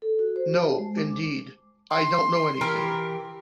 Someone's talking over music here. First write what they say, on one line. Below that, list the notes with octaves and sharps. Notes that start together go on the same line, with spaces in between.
No, indeed; I don't know anything.
A4
F#4
C5
A5
G#3
D6
C6
E3 G4 A#4